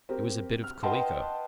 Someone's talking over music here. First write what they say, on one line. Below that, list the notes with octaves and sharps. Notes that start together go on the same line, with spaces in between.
It was a bit of calico....
C4 G4 A#4
F6
B4 D#5 F#5 G5 A5 C6